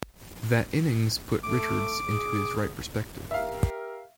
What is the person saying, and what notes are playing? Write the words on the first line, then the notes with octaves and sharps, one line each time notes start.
That innings put Richards into his right perspective.
A3 D6
G#4
G4 A#4 E5 F5